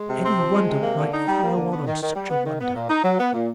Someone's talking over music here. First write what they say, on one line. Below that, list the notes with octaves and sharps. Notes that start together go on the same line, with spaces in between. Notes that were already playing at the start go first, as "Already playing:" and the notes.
Any wonder might follow on such a wonder.
Already playing: G#3
C3
C4
F3
G#3
C3
A#3
D3
D#4
G3
A#3
D3
B3
D#3
D#3
G3
B3
D#3
B3
A#2
D#4
F#3
B3
A#2